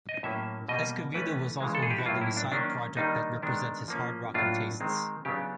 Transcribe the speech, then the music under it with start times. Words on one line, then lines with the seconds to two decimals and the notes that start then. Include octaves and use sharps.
Escovedo was also involved in a side project that represents his hard-rocking tastes.
0.09 D#5
0.23 A2 F#3 A#3 C#4 E5
0.68 B2 G3 A#3 D#5
1.14 E3 A3 C#4 B4
1.60 C#3 E3 G#3
1.75 A4
1.83 G#4
1.90 G4
1.98 F#4
2.05 A2 F#3 A#3 F4
2.21 E4
2.37 D4
2.52 D#3 F#3 A#3 C#4 D4
2.97 D#3 G3 A#3 D4 D#4
3.42 D#3 G#3 B3 D4
3.88 F3 A#3 C#4
4.34 A2 F#3 A#3 D4 F4
4.80 D#3 G#3 C4
5.25 C#3 F#3 B3 D4 G4